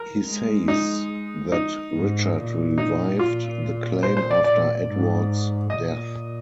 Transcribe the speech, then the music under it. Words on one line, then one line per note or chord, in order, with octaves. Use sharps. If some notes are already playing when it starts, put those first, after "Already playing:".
He says that Richard revived the claim after Edward's death.
Already playing: A#4
G#3
D#4
D#4
G#2
A#2
D#4
A#2 F4
C5
C5
D5
A#2 D5
G#2
A#2 D#5